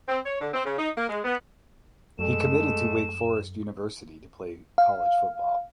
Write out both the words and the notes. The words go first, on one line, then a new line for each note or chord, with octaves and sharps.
He committed to Wake Forest University to play college football.
C4
C#5
D3
C4
C#3
D#4
A#3
G#3
B3
F#2 G#3 A3 A4 E7
F5